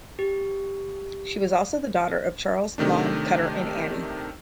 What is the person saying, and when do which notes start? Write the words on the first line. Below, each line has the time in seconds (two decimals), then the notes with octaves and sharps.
She was also the daughter of Charles Long Cutter and Annie.
0.19 G4
2.78 C3 D#3 A3 D4